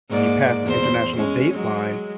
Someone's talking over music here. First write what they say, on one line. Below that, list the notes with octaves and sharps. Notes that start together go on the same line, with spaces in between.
you passed the international dateline,
G#2 A#3 D5
E2 C5
G#3 C#4
F#3 G#3